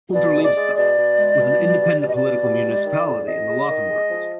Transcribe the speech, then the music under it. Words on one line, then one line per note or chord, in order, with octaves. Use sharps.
Unterleibstadt was an independent political municipality in the Laufenburg district.
B2 D5
G#3
D5
G#3
B2 D5
B2
G#3
B2
G3
G3
B2 D5
D#5
D5
B2
G3
G#3
D#3
F2
F2 D#5
G#3
D#3
G#3
F3